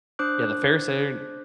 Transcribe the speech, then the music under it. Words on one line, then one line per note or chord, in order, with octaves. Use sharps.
Yeah, the fair sar
D4 C5 D6 F#6